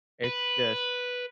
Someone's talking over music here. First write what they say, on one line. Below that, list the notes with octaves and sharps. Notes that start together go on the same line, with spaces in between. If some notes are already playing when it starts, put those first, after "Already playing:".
it's just
B4